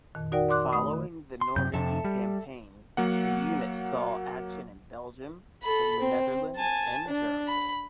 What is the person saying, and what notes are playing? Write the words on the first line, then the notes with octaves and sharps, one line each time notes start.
Following the Normandy campaign the unit saw action in Belgium, the Netherlands and Germany.
F2 A#2 D#3
D#4 F#4 A#4 D5 F#5 G5
D5 C6 D6 F#6
A3 B5 D#6
D#3
C6
F#2 C3 G6
F2 C3 A4 E5 A5
G3
F#3 A#3 F#5
A4 B5
C4
G#5 A5
D4
B5